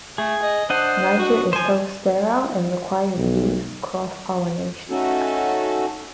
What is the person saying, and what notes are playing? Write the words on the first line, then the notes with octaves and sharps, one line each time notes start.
Niger is self-sterile and requires bees for cross pollination.
A3 G#4
D#5
D4 C5 D#5 F#5
F#4
F3 C5 G#5
B1
A3 C#4 D#4 F#4 A4